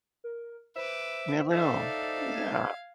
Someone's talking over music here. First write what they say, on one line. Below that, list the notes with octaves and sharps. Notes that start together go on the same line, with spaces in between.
You never know, yeah.
A#4
B4 C5 E5 D6
D#4 A4 D5 E5 F5
G#6